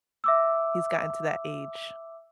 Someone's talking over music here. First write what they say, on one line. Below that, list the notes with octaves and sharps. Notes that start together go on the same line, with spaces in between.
He's gotten to that age.
E5 D6 E6